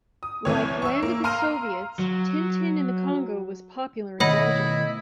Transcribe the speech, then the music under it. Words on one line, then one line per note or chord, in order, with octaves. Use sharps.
Like "Land of the Soviets", "Tintin in the Congo" was popular in Belgium.
D#6
C2 C3 E3 C#5
C#6 E6
A#3
F5 A#5 C6 F6 D#7
F#3
B2 D#3 A3 E4 C#5 D#5 F#5 B5